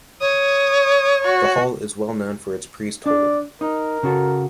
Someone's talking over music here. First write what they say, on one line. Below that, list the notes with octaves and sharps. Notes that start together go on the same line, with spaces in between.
The hall is well known for its priest hole.
C#5 D#6
F#4
D4 D5
D#4 A#4
C#3 F#4 A4